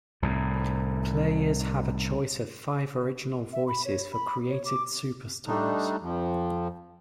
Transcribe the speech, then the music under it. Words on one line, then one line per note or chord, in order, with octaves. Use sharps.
Players have a choice of five original voices for created superstars.
C2 A2
E5
B5
C#5
B5
C#5
D6
G3 A3 D4 D#4
F2 F3